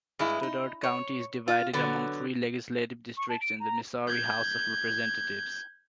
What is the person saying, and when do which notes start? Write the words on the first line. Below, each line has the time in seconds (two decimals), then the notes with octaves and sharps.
Stoddard County is divided among three legislative districts in the Missouri House of Representatives.
0.19 G2 G#3 E4
0.43 D#4
0.83 C#5
1.48 F4
1.73 D3 F#3 B3
3.16 C#6
3.28 A5
3.41 D7
3.60 A#5
4.08 G6 G#6